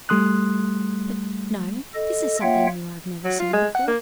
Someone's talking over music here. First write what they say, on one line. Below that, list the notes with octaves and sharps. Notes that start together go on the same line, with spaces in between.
But no-- this is something new I've never seen before.
G3 A3 C6 D#6 F#6
A4 D#5
A#3 F4 C#5 E5 F#5 G5
F#3
F4
G#3
F#5
A#3